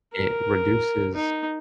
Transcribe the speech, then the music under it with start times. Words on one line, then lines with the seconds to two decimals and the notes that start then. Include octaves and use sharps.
it reduces
0.14 A#4
1.15 D#4